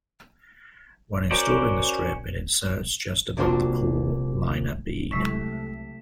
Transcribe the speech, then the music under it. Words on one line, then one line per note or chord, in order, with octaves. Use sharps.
When installing the strip, it inserts just above the pool liner bead.
C#4 F#4 A#4 C5 D5
C2 A#2 D4 F#4 A#4 C6
C2 C3 F#3 G#3 A3 E4 B6 E7